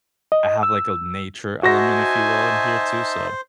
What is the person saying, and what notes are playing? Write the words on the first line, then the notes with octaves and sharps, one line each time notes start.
I have, like, a nature element, if you will, in here too, so
D#5
E6
D#4 F#4 C5 E5 G#5 A5 A#6